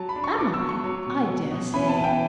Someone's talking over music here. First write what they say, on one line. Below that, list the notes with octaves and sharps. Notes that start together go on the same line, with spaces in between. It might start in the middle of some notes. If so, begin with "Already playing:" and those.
'Am I? I dare say.
Already playing: F#3 A5
B5
D4
C#6
B3 D6
E6
F#3
C#6
F#3
B2
F#3
B2
E3 B5
A5
E3
G5